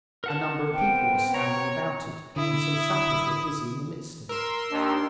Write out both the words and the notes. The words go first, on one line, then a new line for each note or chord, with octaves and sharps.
A number of people were standing about it, and some sappers were busy in the midst of it.
A#4 F#5 A5
B3 C4 G5
C#5 A#5
D3 E4 D#6
A#4 C6 E6
D#2 D#3 D4